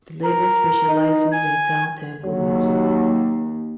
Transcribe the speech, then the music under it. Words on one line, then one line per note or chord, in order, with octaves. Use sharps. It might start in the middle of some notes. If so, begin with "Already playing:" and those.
The label specializes in downtempo music.
A#4
D#4
G#5
D#2 F#3